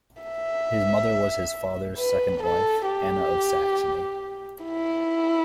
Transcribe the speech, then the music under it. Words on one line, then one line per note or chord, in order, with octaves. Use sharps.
His mother was his father's second wife, Anna of Saxony.
E5
B4
A4
G4
E4